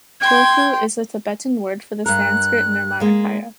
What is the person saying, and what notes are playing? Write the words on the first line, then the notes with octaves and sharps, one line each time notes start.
Tulku is the Tibetan word for the Sanskrit "nirmanakaya".
G5 C6 G#6
G2 A#4 F#6
G#3 A#3